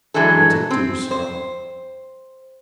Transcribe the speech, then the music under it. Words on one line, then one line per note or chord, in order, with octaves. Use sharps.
"Let it do so."
E3 F#3 G#3 D4 A4
C4
C5